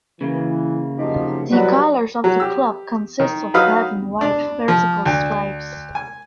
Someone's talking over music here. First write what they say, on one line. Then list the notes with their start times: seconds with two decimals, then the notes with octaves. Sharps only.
The colours of the club consist of red and white vertical stripes.
0.21 C#3 E3 A#3
0.98 F#2 C3 F3 D#4
1.50 C2 B2 F#3 G3 B3 F#4 B4
2.24 F#3
2.40 G4 E6
3.20 D#3
3.54 F#3 D#4 B4 F5 D#6 E6
4.21 D4
4.68 F3
5.05 D2
5.95 G#5